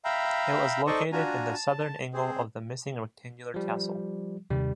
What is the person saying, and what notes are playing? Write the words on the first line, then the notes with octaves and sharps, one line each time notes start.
It was located in the southern angle of the missing rectangular castle.
E5 F5 G5 A#5 B5
D#4 A4 C5 D5 D#5 C#6
D4 F4 F#4 G#5 A#5
A5
C4 G#4 C5
F3 G3
D#2 C3 D#3 G3